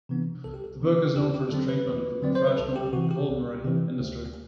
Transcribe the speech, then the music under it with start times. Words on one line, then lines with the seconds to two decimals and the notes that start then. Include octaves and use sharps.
The book is known for its treatment of the professional culinary industry.
0.09 C3 E3 B3 D4
0.44 C2 A4
0.54 G4
0.64 A4
0.81 C3 E3 B3 D4
1.15 E2 G4
1.34 G4
1.51 D3 F#3 C4 A4
1.69 B4
1.86 E2
2.22 D3 F#3 C4 D5
2.35 C5
2.47 B4
2.57 C2 A4
2.76 G4
2.93 C3 E3 F#4
3.11 G4
3.29 C2
3.64 C3 E3
4.00 D2